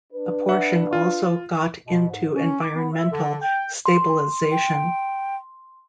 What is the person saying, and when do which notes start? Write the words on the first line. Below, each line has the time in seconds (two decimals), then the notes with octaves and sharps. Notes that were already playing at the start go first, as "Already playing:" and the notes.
A portion also got into environmental stabilisation.
0.13 D4 B4
0.49 E5 F#5
0.93 F4
1.86 B2
2.09 G#2
2.35 C#4
2.61 D6
2.75 B3
2.94 E5
3.11 D3
3.42 G5
3.86 C6
4.51 G5